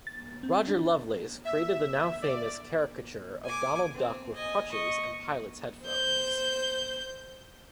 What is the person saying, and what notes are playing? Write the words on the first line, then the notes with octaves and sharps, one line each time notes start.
Rodger Lovelace create the now-famous caricature of Donald Duck with crutches and pilot's headphones.
A6
C4
D4
E5
D5
G#5 D6
C4
D#5 G#5
D#5 C#6
C5 G6